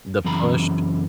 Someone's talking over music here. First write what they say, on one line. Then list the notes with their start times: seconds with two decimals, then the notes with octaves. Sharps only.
The push
0.25 F#2 C#3 E3 A#5 B5